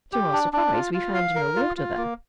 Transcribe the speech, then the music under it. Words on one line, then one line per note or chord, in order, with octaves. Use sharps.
To our surprise, we found no water there.
G4
D4
D4
F4
F4
F5
A#4
F4
F4
A#3